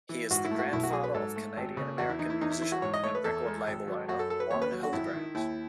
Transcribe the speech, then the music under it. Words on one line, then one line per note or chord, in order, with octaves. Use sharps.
He is the grandfather of Canadian-American musician and record label owner Warren Hildebrand.
E3
G#2 F#4
E4
A3
F#4
B1 E4
F#4
F#3 G#4
B4
G#2 A4
A3
G#1
C#3
E2 F#4
E4
E3 D#4
E4
E2 D#4
E4
E3 E4
F#4
G#2 C#5
D#5
A3 C#5
B4
E2 A4
G#3
G#1
F#3
F#2 F#4
A4
F#3 A4
B4
D#2 C#5
B4
F#3
F#4
G#1 E4
D#3
D#2 E4